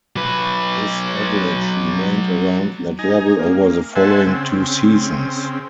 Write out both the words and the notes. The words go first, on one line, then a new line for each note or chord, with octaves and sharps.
His average remained around that level over the following two seasons.
F#3 B4
D#4 G#5 A#5
A#3
C5 E5 F#5 G#5 A5
C#3 C4